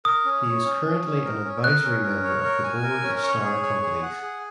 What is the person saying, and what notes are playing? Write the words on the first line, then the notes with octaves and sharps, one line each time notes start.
He is currently an advisory member of the board of Starr Companies.
A#4 D#6
C#4
C#5
C#4
C#4
C#4
A#4
C#4
A#4 F#6
C#4
A#4
C#5
A#4
G#5
A#4
C#4
C#5
G#4
C#5
G#4
F#5
G#4